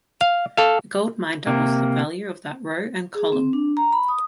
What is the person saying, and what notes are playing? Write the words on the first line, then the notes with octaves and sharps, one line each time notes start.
The gold mine doubles the value of that row and column.
F5
A4 F5
C3 A#3
G#4
C4
D4
A#5
B5
D#6